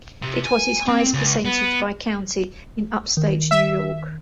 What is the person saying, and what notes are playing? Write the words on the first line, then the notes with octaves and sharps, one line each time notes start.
It was his highest percentage by county in upstate New York.
C3
G#5
C4
C#2
B3
D#3
E5